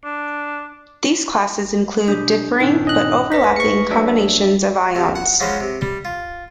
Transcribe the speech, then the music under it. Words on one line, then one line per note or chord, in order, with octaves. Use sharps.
These classes include differing, but overlapping, combinations of ions.
D4
B2 F#3 D4 G4
G2 A#2 D#3 C4 D4 D#4
C#4 D#5 F#6
E2 B4 C#5 E5 A#6 B6
A3 G#4 C#6 C#7
F#3 D4 E5
D2 C3
F#5
F3 F#3 G#3 C#4 B4 C5
C3
G3
F4